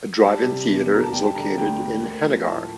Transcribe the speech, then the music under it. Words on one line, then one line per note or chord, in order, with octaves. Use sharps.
A drive-in theater is located in Henagar.
G3 A5
C3
E2
A#3 A#5
A5
G3 G5
A5
D3 A#5
D2 G5
D2
A#3
F3
A2 A5